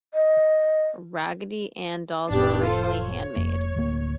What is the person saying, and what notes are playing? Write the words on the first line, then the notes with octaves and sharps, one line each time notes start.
Raggedy Ann dolls were originally handmade.
D#5
F1 A2 B3 C#4 D4 G4
F4 A4 C5
C#5
F1 F2 A#3
D1 D2 A#3